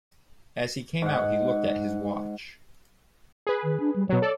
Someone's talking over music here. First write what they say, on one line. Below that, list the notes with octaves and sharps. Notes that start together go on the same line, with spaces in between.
As he came out he looked at his watch.
G#2 F#5
G#4 B4
D#3
D4
G3
B2 F#3 C#5
A4 D5